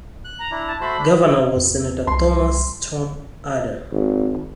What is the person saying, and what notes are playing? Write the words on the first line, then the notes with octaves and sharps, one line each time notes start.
Governor was Senator Thomas "Tom" Ada.
F#6
A#5
D4 E4
A5
A3 F#4 C5 B5
D4
E2
C2 C6
G#1